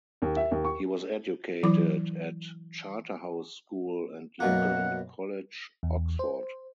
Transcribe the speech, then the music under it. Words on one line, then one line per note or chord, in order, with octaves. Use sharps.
He was educated at Charterhouse School and Lincoln College, Oxford.
D#2
E5
D#2
C#6
E3 F#3 E4 D6
F#2 B2 A#3 F#5
E2
C5